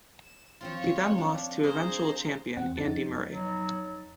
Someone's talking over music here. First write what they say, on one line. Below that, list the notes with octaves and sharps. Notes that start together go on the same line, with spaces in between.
He then lost to eventual champion Andy Murray.
E7
F3 C4 F4 C#5
D4
G#4 C5 A#5
E2 C4 F#5
F2 D#4 A6
F#3